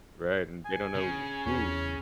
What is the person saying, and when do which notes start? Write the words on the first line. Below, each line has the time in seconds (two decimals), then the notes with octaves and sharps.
Right. And they don't know who
0.65 G#5
0.95 C#3
1.46 E2 C#4